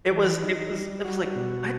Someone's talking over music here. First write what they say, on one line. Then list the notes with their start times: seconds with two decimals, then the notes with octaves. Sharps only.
It was it was it was like, "What?
0.11 E3
0.43 D#4
0.73 G3
1.05 F#4
1.36 B2